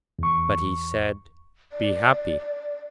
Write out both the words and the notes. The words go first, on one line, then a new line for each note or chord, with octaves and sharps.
But he said: 'Be happy!
E2 C#6
D5